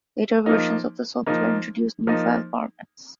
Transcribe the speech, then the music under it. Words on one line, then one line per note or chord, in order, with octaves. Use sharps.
Later versions of the software introduced new file formats.
F3 A#3 D#4
F3 A#3 D#4
F3 A#3 D#4